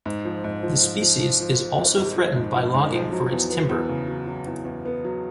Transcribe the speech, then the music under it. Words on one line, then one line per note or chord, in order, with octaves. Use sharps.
The species is also threatened by logging for its timber.
G#2
F3
G#2
F3
F3
F3
F3
F3
F3
G#1
G#1
F3
G#2
F3
G#2
F3
F#3
E2
B3
E2
C#3
F#3
F#3
E2
E2
B3
F#3